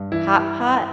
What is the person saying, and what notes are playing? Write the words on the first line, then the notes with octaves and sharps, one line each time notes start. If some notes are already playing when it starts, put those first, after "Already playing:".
Hot pot?
Already playing: G2
E3 E4